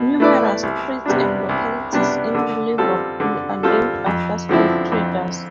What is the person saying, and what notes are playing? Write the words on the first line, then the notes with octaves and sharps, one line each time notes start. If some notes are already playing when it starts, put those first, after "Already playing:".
Numerous streets and localities in Liverpool are named after slave traders.
Already playing: B2
A3 E4 B4 D5
C2
C3 G3 B3 D4
C2
C3 G3 B3 D4
D3
G3 C4 F4 A4
D3
G3 C4 F4 A4
F2
D3 F3 C4 E4
F2